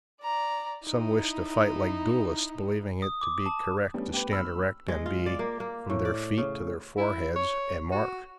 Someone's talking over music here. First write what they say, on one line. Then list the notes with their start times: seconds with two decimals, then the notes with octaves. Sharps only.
Some wished to fight like duelists, believing it to be correct to stand erect and be, from their feet to their foreheads, a mark.
0.21 D5 A#5
0.84 D#4 E4
3.02 D#6
3.21 D6
3.46 A5
3.94 G3 A3 B3 C#4 D4
4.13 G4 B4
4.31 B5 E6 F6
4.88 G#3
5.06 F4
5.26 D5
5.39 A#3
5.60 A#3
5.90 A2
6.05 D5
6.38 C#3
6.97 E4
7.36 C#5
7.91 F#4